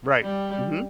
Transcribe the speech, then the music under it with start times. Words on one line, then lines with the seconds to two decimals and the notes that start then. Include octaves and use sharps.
Right, mhm.
0.22 G3